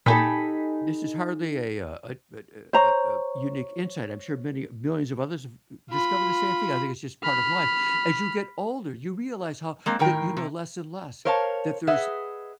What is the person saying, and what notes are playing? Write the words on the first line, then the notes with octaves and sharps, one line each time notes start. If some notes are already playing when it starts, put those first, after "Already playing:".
this is hardly a, uh, a a a a a unique insight. I'm sure many millions of others have discovered the same thing. I think it's just part of life. As you get older, you realize how that you know less and less, that there's
A#2 D#4 G4 A4 G#5 B5
C5 C#5 A#5 C#6
F4 B5
B5 F6
G#3 A#3 C4
A2 D#3 A#4 G5
C3
A#4 C5 C#5 F5 G5 A5
G#4 B4 D#5 E5 F#5